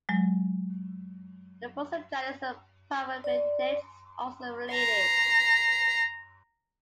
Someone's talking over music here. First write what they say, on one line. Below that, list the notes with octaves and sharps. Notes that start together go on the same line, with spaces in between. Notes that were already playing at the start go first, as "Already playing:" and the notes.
The fossil genus "Parapedetes" is also related.
F#3 G#3
D5
A#5 C7